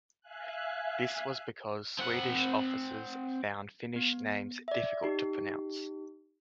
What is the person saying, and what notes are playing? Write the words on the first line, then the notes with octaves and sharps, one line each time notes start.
This was because Swedish officers found Finnish names difficult to pronounce.
E5 F5 G#5 F#6
C4 F#5
B3
D5 E5
D#4 G4